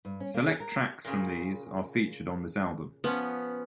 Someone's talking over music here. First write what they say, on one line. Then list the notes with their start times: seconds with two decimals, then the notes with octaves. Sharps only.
Select tracks from these are featured on this album.
0.05 G2
0.20 C#4
0.34 A#3
0.47 G#4
0.60 A#4
1.05 A#2 C#3
3.04 F3 B3 C#4